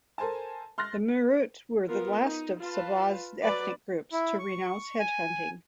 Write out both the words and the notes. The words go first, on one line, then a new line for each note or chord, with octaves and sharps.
The Murut were the last of Sabah's ethnic groups to renounce headhunting.
A4 A#4 C5 G#5 A5
C6 F6 F#6 A6 A#6
B3 F4 A#4
D#4
F4 B4 A5
F#3 B4 D5
E4
C#6
G#5